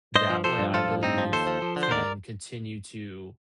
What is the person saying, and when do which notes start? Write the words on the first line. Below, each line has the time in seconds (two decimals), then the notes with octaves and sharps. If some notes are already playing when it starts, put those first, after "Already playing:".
That way, I believe, can continue to
0.15 G2 C5 D#5
0.30 F3
0.44 F3 A4 C5
0.59 G2
0.74 F3 F4 A4
0.88 G2
1.03 G2 C4 D#4
1.18 F3
1.32 D#2 A4 C5
1.47 F3
1.62 F3
1.76 D3
1.83 C5
1.91 D#2 A#4 D5